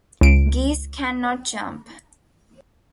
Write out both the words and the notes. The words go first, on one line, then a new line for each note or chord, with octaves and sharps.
Geese can not jump.
C#2 D7